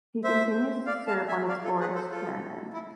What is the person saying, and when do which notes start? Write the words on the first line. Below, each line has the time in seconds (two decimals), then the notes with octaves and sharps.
He continues to serve on its board as Chairman.
0.24 C5 E5
0.86 D5 F5
1.07 F5 A5
1.28 E5 G#5
1.48 D5 F5
1.64 F4 A4
1.80 G#4 B4
1.95 A4 C5
2.11 F4 A4
2.73 E4